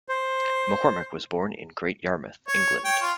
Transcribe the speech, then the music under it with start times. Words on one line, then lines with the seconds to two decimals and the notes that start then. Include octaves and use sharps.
McCormick was born in Great Yarmouth, England.
0.09 C5
2.48 C#5
2.85 C#5 G5
3.01 F4